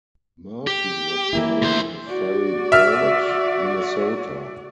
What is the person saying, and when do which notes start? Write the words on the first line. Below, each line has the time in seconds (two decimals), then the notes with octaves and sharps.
Murphy was born in Faribault, Minnesota.
0.67 G4
1.33 E3 A#3 E4
1.62 D2 C5
2.09 F#4 D5
2.72 E5 F6